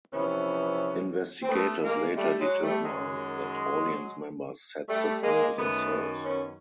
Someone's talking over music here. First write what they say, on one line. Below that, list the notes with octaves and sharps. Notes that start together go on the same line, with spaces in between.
Investigators later determine that audience members set the fire themselves.
F2 C3 E3 B3 C#4
C4
A3 B3
G#3 A#3
G3 A3
F#3 G#3
G3 A3
F#2 D#3 F#3 G#3
G3 A3
G#3 A#3
F#2 D#3 A3 B3
B3 C#4